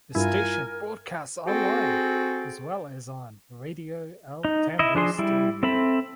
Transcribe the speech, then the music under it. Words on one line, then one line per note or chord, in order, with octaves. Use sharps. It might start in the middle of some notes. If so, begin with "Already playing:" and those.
The station broadcasts online as well as on Radio El Tambo Stereo.
G2 E4 F4 A#4 G#5
C4 F#4 G#4 A4 C5 G5
D#4
E4 D#5
F3 D4 G#4 C6
G3 E4
C4 A4 E5 B5